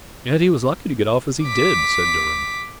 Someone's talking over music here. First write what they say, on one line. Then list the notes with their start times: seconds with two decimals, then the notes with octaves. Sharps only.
"Yet he was lucky to get off as he did," said Durham.
1.45 D6 B6